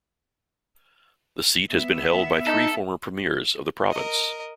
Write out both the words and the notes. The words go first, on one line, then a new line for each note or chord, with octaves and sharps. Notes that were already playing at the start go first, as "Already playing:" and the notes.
The seat has been held by three former premiers of the province.
B3 E5
D#4 A4
A#4 D#5